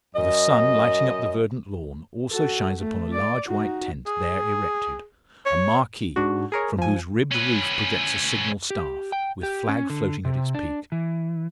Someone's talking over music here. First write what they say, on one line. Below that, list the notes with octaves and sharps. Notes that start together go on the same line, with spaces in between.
For the sun, lighting up the verdant lawn, also shines upon a large white tent there erected--a marquee--from whose ribbed roof projects a signal staff, with flag floating at its peak.
F#2 D#5
F#4 A4
A3
D5
D#4 F#4
G#4
C#5
G#2 D4 F#4
G#4 A#4 C#5
F3 G#5
C#4 B4
G4
G5
G4
C#4
D3
C3
D4
E3